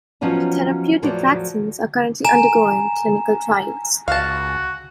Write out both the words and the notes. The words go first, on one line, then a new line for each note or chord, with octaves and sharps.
Therapeutic vaccines are currently undergoing clinical trials.
F3 F#3 B3 C#4 D#4
E2 A2 F3 F#3 C#5 D5
G#5 A#5 E7
C#2 F#4 F5 A5